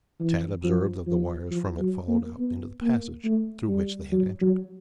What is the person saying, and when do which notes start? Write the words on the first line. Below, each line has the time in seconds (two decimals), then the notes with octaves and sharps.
Tad observed that the wires from it followed out into the passage through which they had entered.
0.20 E3
0.64 F3
1.07 F3
1.51 F3
1.80 F#3
2.08 A#3
2.38 B3
2.81 A#3
3.24 A3
3.68 G3
4.12 F#3
4.41 F#3